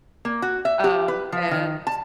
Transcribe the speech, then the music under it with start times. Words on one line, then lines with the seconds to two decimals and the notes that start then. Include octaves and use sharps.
Um, and,
0.25 A#3
0.42 F#4
0.65 E5
0.84 G4
1.08 B4
1.32 F3
1.51 D#3
1.87 A5